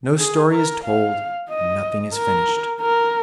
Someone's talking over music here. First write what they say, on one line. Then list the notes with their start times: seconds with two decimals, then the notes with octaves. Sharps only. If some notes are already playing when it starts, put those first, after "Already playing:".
No story is told, nothing is finished.
0.18 G#4
0.52 A#4
0.84 F5
1.49 D#5
2.15 A#4
2.81 A#4